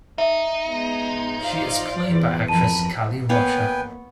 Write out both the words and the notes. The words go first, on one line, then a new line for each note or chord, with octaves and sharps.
She is played by actress Kali Rocha.
D#4 E5
G#3 B3
F4 C5 D5 F5
E2
F2 A#4 A5 B5 D#7
A#3 B3 B4 C#5 F5 G5 G#5